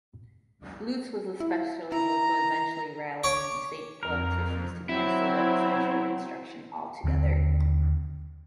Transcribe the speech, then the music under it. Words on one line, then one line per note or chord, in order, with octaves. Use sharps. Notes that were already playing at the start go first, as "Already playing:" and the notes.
Lutz was especially vocal, eventually rallying state politicians to cancel the expressway construction altogether.
E4
E4 A#5
C#5 D6
F2 A#4
F#3 C4 E4
D#2 D3 F3 C4